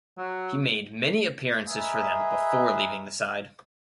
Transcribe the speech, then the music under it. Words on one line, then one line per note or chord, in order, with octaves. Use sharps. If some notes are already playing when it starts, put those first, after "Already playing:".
He made many appearances for them before leaving the side.
F#3
G#4 A#4 B4 D#5 E5 G#5